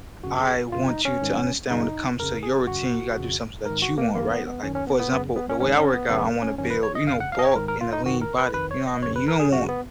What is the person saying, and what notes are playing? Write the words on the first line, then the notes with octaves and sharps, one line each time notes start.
I want you to understand when it comes to your routine, you gotta do something that you want." Right? Like, for example, the way I work out, I wanna build you know, bulk and a lean body, you know what mean? You don't want
F#2 C#3 F#4
G#4
F#2 C#3 F4
D#4
C#4
G#2 D#3
F#2 C#3 D#4
F2 C#3 A#4
G#4
F#2 C#3 F#4
F2 C#3
G#2 D#3 A#4
F#4
A#3
F#2 D#3 A#3
B3
B3
F#2 D#3 C#4
C#4
B3
B3
F#2 C#3 B3
B3
C#4
G#2 D#3 C#4
C#4
B3
F#2 C#3 B3
A#3
C#4
F#2 D#3 C#4
B4
C#5
D#5
F2 C#3 F5
F#5
F5
D#5
C#5
G#2 D#3 A#4
A#4
F4
D#4
F#2 D#3 F#4
A#4
B4
F2 D#3 B4
C#5
D#5
F2 C#3 C#5
B4
A#4
G#4
F#2 C#3 F#4
B3